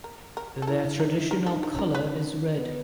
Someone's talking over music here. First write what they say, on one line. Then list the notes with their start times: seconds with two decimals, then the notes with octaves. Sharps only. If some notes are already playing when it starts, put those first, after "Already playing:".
Their traditional colour is red.
0.04 A#4
0.37 A#4
0.62 A4
0.67 E4 A#4
0.84 D4
1.00 D#4 A#4
1.15 E4
1.31 D4 A#4
1.46 A4
1.52 D#4
1.63 A#4
1.74 C#4 A#4
1.95 B4
2.57 B3